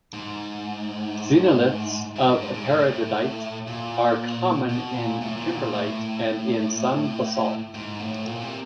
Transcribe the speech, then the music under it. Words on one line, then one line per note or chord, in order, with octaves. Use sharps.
Xenoliths of peridotite are common in kimberlite and in some basalt.
G#2
G#2
G2
G#2
G#2
A2
A#2
B2
A#2
A2
A#2
B2
A#2
A2
G#2
A2
A#2
C3